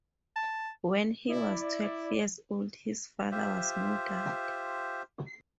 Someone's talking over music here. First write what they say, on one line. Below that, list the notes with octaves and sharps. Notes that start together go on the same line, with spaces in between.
When he was twelve years old his father was murdered.
A5
E4 D5
F4 G4 C5 E5